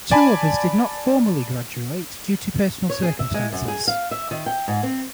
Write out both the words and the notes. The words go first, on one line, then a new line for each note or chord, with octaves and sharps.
Two others did not formally graduate due to personal circumstances.
D5 G#5 A5 B5
C#5
G#4
E5
G#3
F#2
G#4
F5
E5
D#3
G5
G#2
C4